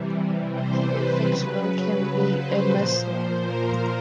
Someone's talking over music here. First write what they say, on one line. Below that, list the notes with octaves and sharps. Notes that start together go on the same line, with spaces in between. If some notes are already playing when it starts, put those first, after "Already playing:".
Here "fictional" can be a misnomer.
Already playing: C3 E3 G3
C5
B4
C#3 F#3 B4
B4
B4
C5
A#2 F3
A#4